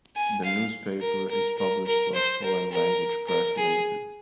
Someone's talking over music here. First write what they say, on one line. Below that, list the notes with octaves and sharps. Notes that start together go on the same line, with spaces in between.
The newspaper is published by Foreign Language Press Ltd.
G#5
F5
A#4
A#4
A#4
A#4
C5
A#4
A#4
A#4
G#4